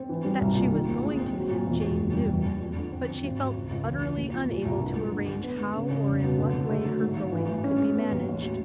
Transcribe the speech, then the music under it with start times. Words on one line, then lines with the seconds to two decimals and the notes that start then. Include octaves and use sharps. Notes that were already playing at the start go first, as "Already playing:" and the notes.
That she was going to him, Jane knew; but she felt utterly unable to arrange how or in what way her going could be managed.
Already playing: C4
0.09 E3
0.25 G3
0.41 C2
0.56 A#2
0.72 D#3
0.88 D#2
1.04 G#3
1.19 C4
1.35 F#3
1.51 A#2
1.66 E1
1.82 E1
1.98 F#1
2.13 G3
2.29 E2
2.45 E2
2.60 F2
2.76 D3
2.92 C4
3.08 C4
3.24 G#1
3.39 F#3
3.55 C#2
3.71 C#2
3.86 E2
4.02 E3
4.17 D#2
4.34 F3
4.49 A#2
4.65 C2
4.80 G2
4.97 G#3
5.12 D3
5.28 D3
5.43 B3
5.60 G#3
5.75 C#3
5.90 C#3
6.07 F1
6.22 B2
6.38 D3
6.54 D3
6.69 A3
6.85 F#3
7.01 G#2
7.16 G#1
7.32 E3
7.48 A2
7.64 C#4
7.80 G#3
7.95 B3
8.11 D#2
8.27 A1
8.42 F#3